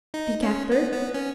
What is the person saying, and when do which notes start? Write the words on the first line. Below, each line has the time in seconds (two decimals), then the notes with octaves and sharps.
The Cat-bird.
0.14 D#4
0.42 C#4
0.71 B3
0.93 B3
1.14 C#4